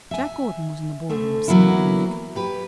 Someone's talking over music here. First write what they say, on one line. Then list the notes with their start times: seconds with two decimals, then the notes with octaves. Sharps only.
Jack Gordon was in the ballroom scene in make-up.
0.11 E5 G#5
1.09 D2 D3 A3
1.48 E3 F#3 A#3 B3 E4
2.35 F#3 G4 B4